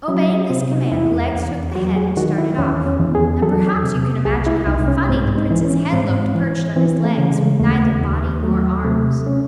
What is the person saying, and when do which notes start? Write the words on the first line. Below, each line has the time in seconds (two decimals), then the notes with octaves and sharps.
Obeying this command, the legs took the head and started off; and perhaps you can imagine how funny the Prince's head looked perched on his legs, with neither body nor arms.
0.08 F#3 C#4
0.30 C#4
0.50 C3 C4
0.72 D#4
0.92 E2 E4
1.34 E2
1.75 F#3 F#4
1.96 G#4
2.17 D#3 F#4
2.38 E4
2.58 E2 C#4
2.87 C#4
3.00 E2
3.15 G#4
3.42 F#3 A4
3.84 C3
4.25 C2 G#4
4.46 E4
4.67 C2 D#4
4.88 C#4
5.09 G#2 C4
5.37 D#4
5.51 E3
5.65 C#4
5.93 G#2 C4
6.35 E3
6.76 E3 C4
7.05 A3
7.18 C#3
7.32 G#3
7.60 D#2 A3
8.01 D#2
8.43 F#3 A3
8.85 C3 A3
9.26 C#4